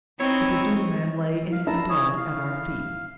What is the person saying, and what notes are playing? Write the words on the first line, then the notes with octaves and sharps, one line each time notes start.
But the duty man lay in his blood at our feet.
C4 D#4 E4 C#5
F5
E4 A5 A#5
G#4 C#5
F5